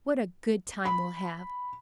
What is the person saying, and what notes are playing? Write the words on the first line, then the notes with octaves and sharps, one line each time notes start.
What a good time we'll have!
B5